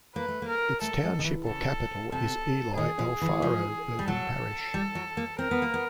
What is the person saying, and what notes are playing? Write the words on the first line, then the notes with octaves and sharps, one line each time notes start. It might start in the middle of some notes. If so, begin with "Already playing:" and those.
Its township or capital is Eloy Alfaro, urban parish.
A#3 B4
A3
A#3
A#4
A3 A4
G#3
D#3
E3
C#3 A4
C3 A4
D#3 G#4
F3
E3
F3
G3
F#3 A4
G3
F#3
A#3
C4 A#4
B3
A#3
B3